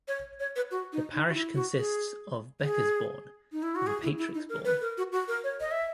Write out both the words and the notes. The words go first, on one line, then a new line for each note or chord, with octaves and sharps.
The parish consists of Bekesbourne and Patrixbourne.
C#5
C#5
B4
F#4
D#4
D#4
F#4
E4
F#4
G#4
G#4
D#4
E4
F#4
G#4
E4
E4
D#4
A#4
B4
A#4
F#4
F#4
A#4
C#5
D#5
E5